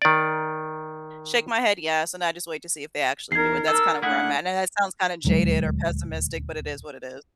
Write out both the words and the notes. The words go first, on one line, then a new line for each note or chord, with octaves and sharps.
shake my head "Yes," and I just wait to see if they actually do it, that's kinda where I'm at, and that sounds kinda jaded or pessimistic, but it is what it is.
D#3 D5
E2 D#4 A#4 G#6 C7
A4 A#4 E6
A3 A#3 D4 E4 G#4 F#5
D#1 D2 F#3 G#3